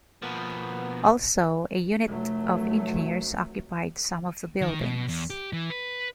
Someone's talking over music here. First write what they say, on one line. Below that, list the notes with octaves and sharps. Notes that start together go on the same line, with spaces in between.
Also, a unit of engineers occupied some of the buildings.
B2 F3 A#3 B3
F1 F#3 A3
D#3
B2
E2
G4
E3
B4